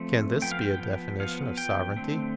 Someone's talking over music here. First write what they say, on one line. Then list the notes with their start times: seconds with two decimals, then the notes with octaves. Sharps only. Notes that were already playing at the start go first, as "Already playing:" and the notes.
Can this be a definition of sovereignty?
Already playing: F3 A3 C4
0.42 F3 B3 G5
0.52 F5
0.61 G5
1.20 F3 B3 F5
1.58 G5
1.97 D3 A3 C4